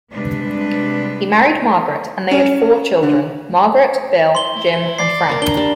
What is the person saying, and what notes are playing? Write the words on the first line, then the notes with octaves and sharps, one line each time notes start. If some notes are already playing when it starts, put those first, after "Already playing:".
He married Margaret and they had four children Margaret, Bill, Jim and Frank.
C3 G3 G#3 B3 D4 B4
C#4
D3
C6 G7
E4
D5 C7
A#4 A#5
D4 A#5 G7
G3 D4